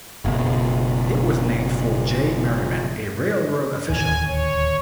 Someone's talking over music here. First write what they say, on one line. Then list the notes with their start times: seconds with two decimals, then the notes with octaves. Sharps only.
It was named for J. Merriman, a railroad official.
0.25 F#1 B2
3.90 D1 D#2 G#5
4.27 C#5